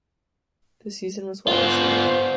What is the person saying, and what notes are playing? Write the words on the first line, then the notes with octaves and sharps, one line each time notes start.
The season was well received.
B3 F4 C5